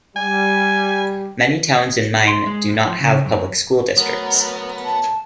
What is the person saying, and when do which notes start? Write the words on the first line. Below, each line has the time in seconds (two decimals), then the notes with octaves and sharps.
Many towns in Maine do not have public school districts.
0.16 G3 G#5
2.27 C6
2.46 G#3
2.74 A2
2.87 F3
3.00 C#3
3.26 F#2
3.97 F#3 A3 B3 A#4
4.84 A5